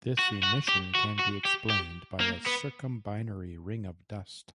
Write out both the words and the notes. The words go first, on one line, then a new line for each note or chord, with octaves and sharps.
This emission can be explained by a circumbinary ring of dust.
F#4
F#4
G4
F#4
F#4
G4
G4
A#3
B3